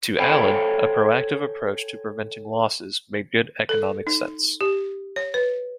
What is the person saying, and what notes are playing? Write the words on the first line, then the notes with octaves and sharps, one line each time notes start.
To Allen, a proactive approach to preventing losses made good economic sense.
A4 C5 C#5 G5 G#5 B5
A4
D#4
G4
C#5
B4